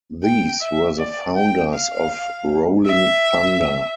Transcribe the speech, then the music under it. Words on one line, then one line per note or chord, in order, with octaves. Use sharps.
These were the founders of Rolling Thunder.
G5
E5
D5
G5
F5
E5